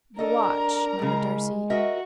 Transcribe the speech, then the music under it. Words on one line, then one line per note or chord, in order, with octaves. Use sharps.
"The watch," murmured Darcy.
D4 A4 A#4 D#5 A#5
A2 C#3 G#3
F#4 A#4 D#5 E5